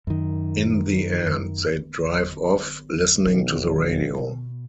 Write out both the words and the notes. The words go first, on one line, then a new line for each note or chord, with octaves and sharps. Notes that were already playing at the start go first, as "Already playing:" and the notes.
In the end, they drive off, listening to the radio.
F#2 D#3
B1 D#3
B2